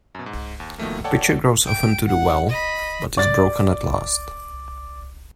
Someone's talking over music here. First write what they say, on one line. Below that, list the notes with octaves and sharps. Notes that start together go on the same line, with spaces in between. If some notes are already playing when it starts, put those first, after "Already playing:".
A pitcher goes often to the well, but is broken at last.
F#2 B2
G#2
D#2
B2 D#3 F3 A3 A#3
A4 C#5 D5 F#5 G5 A5
G5 D7
F#5
D#5 B5
D5 A6